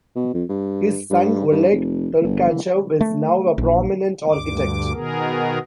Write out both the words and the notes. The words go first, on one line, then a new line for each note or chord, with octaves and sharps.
His son Oleg Tolkachev is now a prominent architect.
B2
F2
G2
G2
G2
F1
G1
E3
A3
A#1
D2 G2 D6
B2 D#3 B3 G#4 A#4